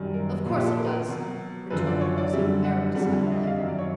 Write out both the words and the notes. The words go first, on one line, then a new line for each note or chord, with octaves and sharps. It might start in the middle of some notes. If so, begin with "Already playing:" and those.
"Of course it does," returned the Woozy, very decidedly.
Already playing: F#2 D#3 G3
A#4
A#2 F3 F#4
G4
A4
A#4
B4
A#4
B2 F#3
F#2 D3 F3 B4
D5
C#5
D5
F#2 D3 G3 E5
F#5
F2 D3 G3 F#5
E5
D#5
E5
F5
F#2 D#3 F#3 E5
D5
C#5